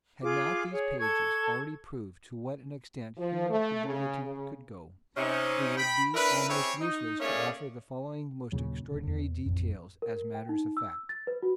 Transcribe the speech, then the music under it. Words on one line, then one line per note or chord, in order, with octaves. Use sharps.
Had not these pages already proved to what an extent human credulity could go, it would be almost useless to offer the following most extraordinary details as matters of fact.
F4 G#4 D6
G#4 C#5
A4 C#6 G#6
F3
A3
C#3
C#3
C3 C#4 D#4
G5 B5
D4 E4 A#4 B4
C4 C#4 E4 G4 G#4 C#5
D#4
A3 A#3 C#4 G#4 C#5 D5
D#2 A#2 C#3 F#3
D#1 C#3
E2
A1 F2
A#4
G5
D#4
E6
A6
B4
F#4